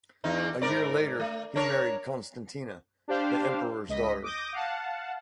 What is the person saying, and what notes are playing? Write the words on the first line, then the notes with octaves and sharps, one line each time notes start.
A year later, he married Constantina, the Emperor's daughter.
E2 D#4
G#2 A#4 D5
A3
D4 A#4 C#5
D4 G4 C5 F5
C#2 D#5 B6
D6 D#6 G6 A#6
F5 F#5 A5